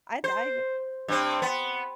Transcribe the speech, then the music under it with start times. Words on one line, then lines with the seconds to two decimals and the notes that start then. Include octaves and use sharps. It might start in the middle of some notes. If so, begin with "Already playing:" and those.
I I
0.24 C5
1.08 G2 C4
1.42 B3